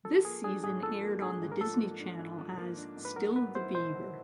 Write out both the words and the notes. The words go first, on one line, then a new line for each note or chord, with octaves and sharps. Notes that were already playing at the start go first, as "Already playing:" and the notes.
This season aired on The Disney Channel as "Still the Beaver".
F3 A4
A#3 G#4
D4 G#4
G#2 G#4
F3 A4
A#3
D4 G#4
G#2
A#4
F3 A4
A#3
D4
G#2
F3
A#3
D4
G#2
B4
F#3 A#4
B3 B4
E4 C5
B2 C5
F#3